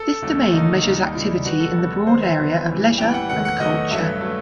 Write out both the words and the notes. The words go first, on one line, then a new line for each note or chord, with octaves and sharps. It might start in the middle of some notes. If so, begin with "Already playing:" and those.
This domain measures activity in the broad area of leisure and culture.
Already playing: A4
D#2 D#3 F#3 A3
D#2 D#3 F#3 A3 D#4
D#2 D#3 G3
D#2 D#3 G3 E4
B2 G3 B3 F#4
A4
B2 G3 B3
D#2 D#3 F#3 B3 C5
E5
D#2 D#3 F#3 B3
A2 E3 G3
A2 E3 G3 G5
F#5
E2 D#3 F#3 A3 F#5
F#5
E2 D#3 F#3 A3 D#5
G2 F#3 A3 E5
F#3 A3